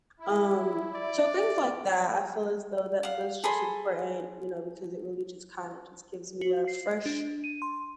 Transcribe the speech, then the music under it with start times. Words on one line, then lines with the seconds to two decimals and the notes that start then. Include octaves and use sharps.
Um, so things like that, I feel as though that those just important, you know, because it really just kinda just gives me a fresh
0.20 E4
0.95 D5 E5
3.03 F5 F#5
3.44 G#4 A4 B5 C6
6.41 F#4
6.68 C7
7.06 D4
7.44 D#7
7.62 C6